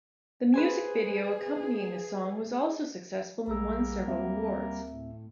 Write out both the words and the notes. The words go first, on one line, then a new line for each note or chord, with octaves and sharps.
The music video accompanying the song was also successful and won several awards.
G#4 B4 C5 G#5
A#1 G3 A#3 G#4 A#4 E6
D2 C4 E5
A2